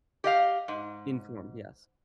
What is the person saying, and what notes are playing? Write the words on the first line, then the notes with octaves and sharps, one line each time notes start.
Informed, yes.
G4 D#5 F5
G#2